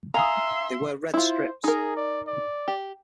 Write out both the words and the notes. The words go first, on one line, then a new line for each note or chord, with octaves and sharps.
They wear red strips.
E5 F5 G#5 A#5 C6 D#6
E4 F4 C5
D#4 G#4 A#4
D5
D5
G4